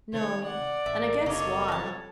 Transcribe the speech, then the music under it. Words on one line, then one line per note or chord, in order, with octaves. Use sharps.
'No; and I guess why.
C3 D#3 C#5
D5 F#5
A1 E5 A5
F#1 C3 A#3 A4 C#5 D#5
A5 A#5